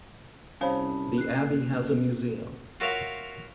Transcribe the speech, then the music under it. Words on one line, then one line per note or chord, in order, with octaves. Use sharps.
The Abbey has a museum.
C2 C#4 C5 C#5 F5 A5 B5
A#3 F#6 C7
F4 F#4 A#4 C#5 E5 F5